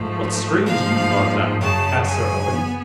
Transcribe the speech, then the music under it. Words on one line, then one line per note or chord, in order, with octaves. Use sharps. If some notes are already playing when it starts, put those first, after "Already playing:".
'What strange youth art thou?' asked Sir Owen.
Already playing: G#2 F3 A3
G#2 F3 A#3 F5
F#2 C#3 F#3 A5
G#5
B3